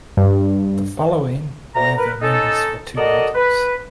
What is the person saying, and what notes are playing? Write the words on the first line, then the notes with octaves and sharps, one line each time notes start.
The following were the members for Two Mountains.
G2
D2 A#5
A#4 B4
C#4 D#4 A4
F#4 A4 A#4 D5 D#5
B4